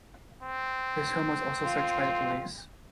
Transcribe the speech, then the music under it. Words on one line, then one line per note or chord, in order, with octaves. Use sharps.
His home was also searched by the police.
C4
F4